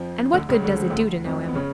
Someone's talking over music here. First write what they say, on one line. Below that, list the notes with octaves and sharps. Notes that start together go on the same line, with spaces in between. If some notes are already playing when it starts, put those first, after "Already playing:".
"And what good does it do to know him?"
Already playing: F2 F3
D2 D3
C#2 C#3
D3
F3
D2 D3
F2 F3
B3
C#3 C#4